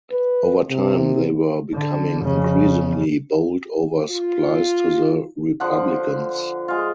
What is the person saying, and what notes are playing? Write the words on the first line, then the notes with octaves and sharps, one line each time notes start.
Over time they were becoming increasingly bold over supplies to the Republicans.
B4
C3
D3
F2 C#3
F4
D3 F3 F#5
G#3 F4